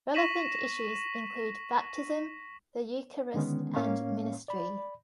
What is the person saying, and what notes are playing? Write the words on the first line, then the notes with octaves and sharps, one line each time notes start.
Relevant issues include Baptism, the Eucharist and Ministry.
C#6 A#6 B6 D#7 E7 F#7
D3 D#3 G#3 B3 C#4
A2 A#3 C#4 C#5 F5
D5 B5